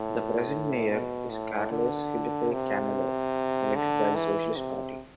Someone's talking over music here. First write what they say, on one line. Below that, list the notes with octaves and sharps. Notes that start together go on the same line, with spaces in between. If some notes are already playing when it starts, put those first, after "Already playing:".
The present Mayor is Carlos Filipe Camelo, elected by the Socialist Party.
Already playing: A2
B2
A2
D3
C3
D3
E3
C3